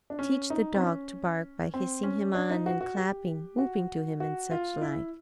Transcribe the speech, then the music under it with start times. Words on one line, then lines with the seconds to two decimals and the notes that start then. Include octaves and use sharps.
Teach the dog to bark by hissing him on and clapping, whooping to him and such like.
0.10 D4
0.19 C#4
0.50 D#4
0.75 C4
0.80 C#4
1.74 C4
2.03 C#4
2.35 D4
2.50 D#4
2.66 F#4
2.81 F#4
2.97 G4
3.59 F#4
4.20 F#4
4.51 F4
4.81 E4